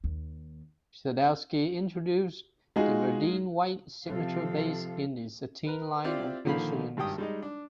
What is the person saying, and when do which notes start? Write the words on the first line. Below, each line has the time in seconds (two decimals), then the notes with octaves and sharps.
Sadowsky introduced the Verdine White signature bass in the Satin line of instruments.
0.04 D#2
2.76 G#3 D#4 F4 F#4 G#4 D#5
4.07 C3 F3 C4 A4 F5
5.67 A#4 B4
6.04 C4 E4 F4 G4 D5
6.45 A#2 D3 D#3 F3 F5 B5
6.97 G#1 G2 G4 G5 D#6
7.18 G3 G#3 D#4
7.42 D4